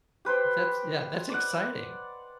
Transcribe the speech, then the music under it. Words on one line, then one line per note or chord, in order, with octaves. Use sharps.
But that's, yeah, that's exciting.
G4 B4 C5 G5
D5 D#5 F#5